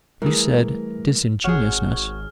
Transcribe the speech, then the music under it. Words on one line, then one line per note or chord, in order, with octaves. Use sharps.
You said disingenuousness.'
E3 G3 A3 G#4 A#4
G#1 F#4 G#4 C#5 F6